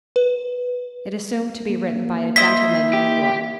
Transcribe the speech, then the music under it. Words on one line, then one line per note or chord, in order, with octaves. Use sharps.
It assumed to be written by a gentleman in New York.
B4
A#3
E4 C5 D#5 B6
G4